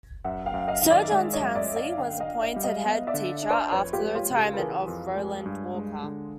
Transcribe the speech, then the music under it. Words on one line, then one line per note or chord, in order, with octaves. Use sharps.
Sir John Townsley was appointed head teacher after the retirement of Roland Walker.
F#2 E5 F#5
F5 G5
F#2
D#5 F5
D#3 F5
D5 E5
G#3 D5 E5
C#5 D#5
F#2
D5 E5
F#2
D#5 F5
D3 F5 G5
D#5 F5
D4
D5 E5
G3
D#5 F5
B3
D5 E5
D3
D4
C5 D5
F2 B4 C#5
F4 G4
G#3
F4 G4
C#3
G4 A4
B4
E3 G#4 A#4
F2
G#3
G2
G#3
D3